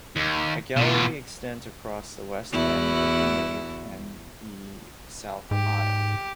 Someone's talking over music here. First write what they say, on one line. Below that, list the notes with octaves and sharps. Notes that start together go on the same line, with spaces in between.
A gallery extends across the west end of the nave and the south aisle.
D#2
B2 F4
E2 E4 F#4
G#2 G4